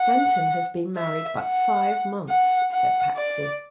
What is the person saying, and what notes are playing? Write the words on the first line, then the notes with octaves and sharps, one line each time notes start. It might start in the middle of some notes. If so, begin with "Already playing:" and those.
"Denton has been married but five months," said Patsy.
Already playing: F#5
E5
F#5
F#5
F#5
D5